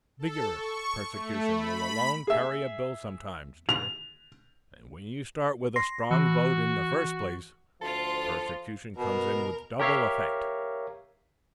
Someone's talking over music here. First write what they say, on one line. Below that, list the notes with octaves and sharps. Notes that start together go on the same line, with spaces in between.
Vigorous persecution will alone carry a bill sometimes, dear; and when you start with a strong vote in the first place, persecution comes in with double effect.
A4
C#6
A3
B5
G#4 E5
F7
C6 A#6 C7
E3 F#4
D2 F3 F4 A4 C6
B2 A#4
G4 A#4 C#5 E5 F5